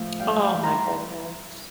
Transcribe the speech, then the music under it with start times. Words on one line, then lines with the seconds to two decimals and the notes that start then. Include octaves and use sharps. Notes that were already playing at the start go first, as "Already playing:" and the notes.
Oh, my goodness.
Already playing: A2 F3 A3
0.20 G2 F5 G5
0.43 F5 G5
0.54 E3 A3
0.63 A#5 C6